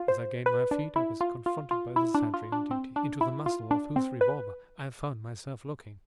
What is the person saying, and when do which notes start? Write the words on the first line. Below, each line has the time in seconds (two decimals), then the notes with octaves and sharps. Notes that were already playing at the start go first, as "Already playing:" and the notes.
As I gained my feet I was confronted by the sentry on duty, into the muzzle of whose revolver I found myself looking.
Already playing: F4
0.08 C5
0.46 B4
0.71 D4
0.96 E4
1.21 F4
1.46 F4
1.71 F4
1.96 E4
2.15 D4
2.34 F4
2.52 D4
2.71 C4
2.96 D4
3.21 E4
3.46 F4
3.71 D4
3.96 C4
4.21 B4